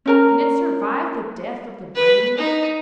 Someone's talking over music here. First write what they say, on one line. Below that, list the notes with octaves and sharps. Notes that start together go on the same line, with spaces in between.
Can it survive the death of the brain?
C#4 A#4 A#5
B4
D#4